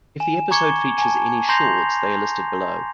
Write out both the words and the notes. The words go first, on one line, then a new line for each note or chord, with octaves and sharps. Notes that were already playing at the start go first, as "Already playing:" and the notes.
If the episode features any shorts, they are listed below.
G#5 E7
A#5 C#6 D6 G#6 C#7 G7
G#5 A5
A#5 C6 G6 A#6 C7 F7